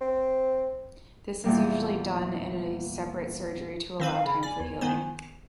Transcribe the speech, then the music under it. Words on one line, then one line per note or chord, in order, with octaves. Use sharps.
This is usually done in a separate surgery to allow time for healing.
C4
E2 A#2 G3 A#3
D#3 C4 B4 F5
C#3 B5
D5 G#5
E2
D#3 B3 C5